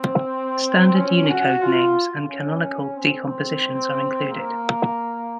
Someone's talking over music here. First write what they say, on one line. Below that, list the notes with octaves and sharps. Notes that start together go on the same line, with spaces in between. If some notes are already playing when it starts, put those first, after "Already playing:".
Standard Unicode names and canonical decompositions are included.
Already playing: C4
C#4
F#4
F4
C#4
C4
A#3